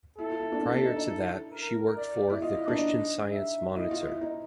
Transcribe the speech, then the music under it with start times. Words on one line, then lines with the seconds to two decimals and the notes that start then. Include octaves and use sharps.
Prior to that, she worked for "The Christian Science Monitor".
0.18 E4 A4
0.30 F4
0.40 E4
0.52 D4
0.63 D4
0.74 D4
0.85 D#4
0.97 D#4
1.08 E4
1.52 A#4
1.97 D5
2.29 E4
2.42 F4 D#5
2.56 E4
2.68 D4
2.72 D#4
3.32 E5
3.76 E4 D#5
3.91 F4
4.01 F4
4.07 E4
4.21 D#4